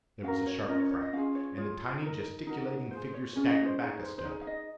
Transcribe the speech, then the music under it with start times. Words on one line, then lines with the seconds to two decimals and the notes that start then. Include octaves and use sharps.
There was a sharp crack, and the tiny gesticulating figure staggered back a step.
0.23 C#4 F#4 A#4 F5
0.46 C#5
0.69 C#4 F4 A#4 D#5
0.80 C#5
0.91 C#5
1.02 D#5
1.13 C#4 F4 G#4 F5
1.35 C#5
1.57 F4 G#4 C#5
2.02 D#4 A#4
2.46 D#4 F#4 A#4
2.91 F4 G#4 C5
3.14 C#5
3.36 C#4 F4 G#4 C#5
3.51 D#5
3.66 C5
3.80 D#4 G#4 C#5
4.03 C5
4.18 C5
4.24 D#4 G#4 C#5
4.41 F5
4.47 D#5